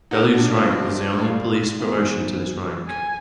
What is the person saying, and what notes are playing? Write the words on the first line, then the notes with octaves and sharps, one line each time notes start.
Daluege's rank was the only police promotion to this rank.
D#4 G4 A#4 F#5
D4
C4 F4 D#5
G4
D5 F5
E3 B3 D4 D#4 C5
G#5